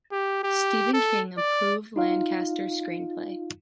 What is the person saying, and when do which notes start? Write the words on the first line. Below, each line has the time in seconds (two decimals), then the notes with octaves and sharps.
Stephen King approved Lancaster’s screenplay.
0.12 G4
0.44 G4
0.94 A4
1.38 D5
1.96 D#4 F4 F5